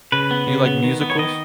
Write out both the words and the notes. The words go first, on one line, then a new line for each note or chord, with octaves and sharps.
Do you like musicals?
C#3 B4
B3
C#3
B3
D#3
B3
C#5
D#3 D#5